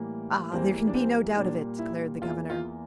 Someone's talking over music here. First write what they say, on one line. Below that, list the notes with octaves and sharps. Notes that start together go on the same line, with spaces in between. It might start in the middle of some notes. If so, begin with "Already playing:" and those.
"Ah! there can be no doubt of it," declared the governor.
Already playing: A2 E3 G3 A#3
E2 E3 G3 A#3 C4
D4
C4
A#2 G3 A#3 D4
E4
E2 E3 A#3 F4
F4